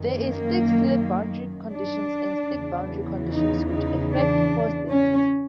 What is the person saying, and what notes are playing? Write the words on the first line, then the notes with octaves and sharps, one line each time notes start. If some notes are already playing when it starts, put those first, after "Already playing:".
There is stick-slip boundary conditions and stick boundary conditions which effect force density.
Already playing: F#2 D#3
A#3
D4
E2 C#3 E3
D#4
D#4
D4
C#4